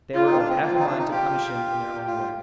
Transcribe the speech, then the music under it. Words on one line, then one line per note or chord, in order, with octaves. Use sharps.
They were of half a mind to punish him in their own way.
F4
D#4
C4
D4
C4
A#3 F4
C4
D#4
D4
D#4
F4 G4
G4
F4